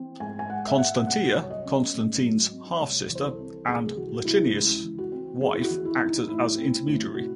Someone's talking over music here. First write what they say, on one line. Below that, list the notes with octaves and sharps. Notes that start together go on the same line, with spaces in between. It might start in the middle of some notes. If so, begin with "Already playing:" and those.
Constantia, Constantine's half-sister and Licinius' wife, acted as intermediary.
Already playing: E3 C4
G#2 G#5
G#5
G#3 F#5
E5
G#2 F#5
C2 F#5
F#3
C#5
D#5
C#4
G#2
F#3
C4
C2 C#5
E3
C5
A4
C4
C2 G#4
G#4
E3 F#4
F#4
C2 E4
C#2 E4
E3
F#4
C4
E2 G#4
E4
F#4
E3
E4
C4
D#4
A2 E4
C4
A2
C3 F#4